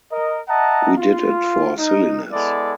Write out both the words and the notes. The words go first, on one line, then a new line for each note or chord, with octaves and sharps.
We did it for silliness.
A#4 D#5
D#5 E5 F#5 A5 A#5
F4
D#4
G#3 B3 E4 A4 D5